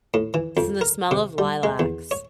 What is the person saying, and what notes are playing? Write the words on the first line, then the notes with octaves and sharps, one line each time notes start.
S in the smell of lilacs.
A2
E3
F2
A#4
C3
G3
G#3
E2
C#5